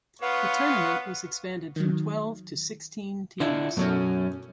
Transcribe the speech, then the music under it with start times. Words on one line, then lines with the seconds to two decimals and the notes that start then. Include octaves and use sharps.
The tournament was expanded from twelve to sixteen teams.
0.22 B3 F4 B4 C#5 F5 F#5
1.76 D#3 F#3
3.40 D3 D4 E4 F4
3.77 F#2 B2 F#3 C#4 A4 C#5